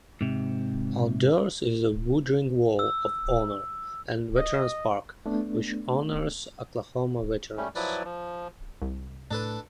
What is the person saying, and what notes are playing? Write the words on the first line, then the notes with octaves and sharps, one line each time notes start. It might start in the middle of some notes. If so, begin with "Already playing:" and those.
Outdoors is the Woodring Wall of Honor and Veterans Park, which honors Oklahoma veterans.
G#2 C3
E6
D#5
A3 B3 D4
G3 A3 C#4
F3 F#3 E4 B4 D5
F3
C2
A2 D4 A4 B4